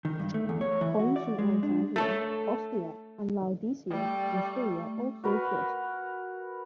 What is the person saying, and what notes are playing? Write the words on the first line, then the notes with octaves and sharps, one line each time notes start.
Coins from Alexandria, Ostia, and Laodicea in Syria also exist.
D#3
G2
A3
E2
C#5
E3
F#4
D5
G#3
D4
A3 A4 C#5
G3 A3
F#4 A#4 B4